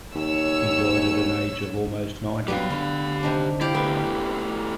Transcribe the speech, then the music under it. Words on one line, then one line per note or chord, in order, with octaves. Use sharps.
He died at an age of almost ninety.
D#2 C#5 E6
F#3 G3 B3 G4 B4 F5
D3 G3
C3 D#3 D4
E4 G4 D5 F5
A3 B3 E4 G4